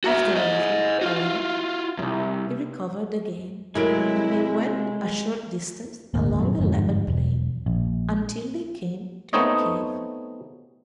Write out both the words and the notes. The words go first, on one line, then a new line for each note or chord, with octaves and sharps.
After a little, however, he recovered again, and they went a short distance along a level plain, until they came to a cave.
F#4 E5
C5 D#5
F4 F#4
C2 F#2
C3 F#3 G#3 A3 E4 A#4 D7
D#1 G#1 D2 A#3
F#2 A#2 F#3
G1 F2 G#2
E1
A#1
A3 B3 C4 D#4 C#5 D#5